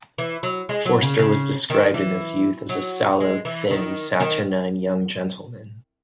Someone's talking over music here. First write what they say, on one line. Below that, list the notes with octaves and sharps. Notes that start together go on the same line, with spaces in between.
Forster was described in his youth as a "sallow, thin, saturnine young gentleman".
E3
F#3
G#3
F#3
C#3
C#3
D#3
E3
F#3
G#3
E3
D#3
D#3